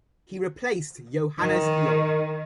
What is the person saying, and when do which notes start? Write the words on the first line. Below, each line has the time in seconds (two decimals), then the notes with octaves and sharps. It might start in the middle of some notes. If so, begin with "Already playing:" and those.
He replaced Johannes Hiob.
1.39 D#3